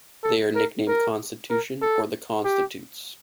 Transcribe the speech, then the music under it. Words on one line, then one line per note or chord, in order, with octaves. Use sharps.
They are nicknamed 'Constitution' or 'The Constitutes'.
A4
A#4
A#4
A#4
A4
G4